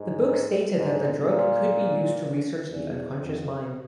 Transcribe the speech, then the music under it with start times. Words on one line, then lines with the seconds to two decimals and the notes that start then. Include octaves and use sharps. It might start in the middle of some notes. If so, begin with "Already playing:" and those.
The book stated that the drug could be used to research the unconscious mind.
Already playing: G#2
0.76 G#2
1.25 A#2
2.70 E2
3.18 F2